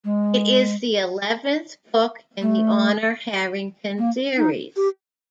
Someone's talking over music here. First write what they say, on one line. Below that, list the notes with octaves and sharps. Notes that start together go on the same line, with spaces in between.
It is the eleventh book in the Honor Harrington series.
G#3
A3
A#3
D#4
G4